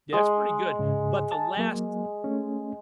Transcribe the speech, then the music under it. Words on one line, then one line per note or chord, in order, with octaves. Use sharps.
Yeah, it's pretty good, but the last
G#3 C6 D#6
G#2 C#3
G#4 A5
F#3 A#3
A3 C#4